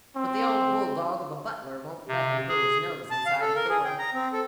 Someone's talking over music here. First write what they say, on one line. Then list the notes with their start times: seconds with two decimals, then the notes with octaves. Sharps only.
But the old bulldog of a butler won't let him put his nose inside the door.
0.16 C4
2.08 C3
2.49 G#4
3.10 A5
3.26 F5
3.41 A4
3.55 A#4
3.69 G#4
3.85 G5
3.99 A#5
4.14 C4
4.33 A4